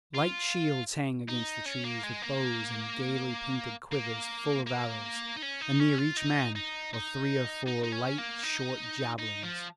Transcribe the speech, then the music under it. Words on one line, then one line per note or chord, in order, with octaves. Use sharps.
Light shields hang against the trees with bows and gaily painted quivers full of arrows, and near each man are three or four light short javelins.
F4
D#4
C#4
A#3
G#3
A#3
A#3
A#3
D#4
C#4
D#4
C#4
F4
D#4
D#4
D#4
D#4
D#4
C#4
A#3
D#4
D#4
F3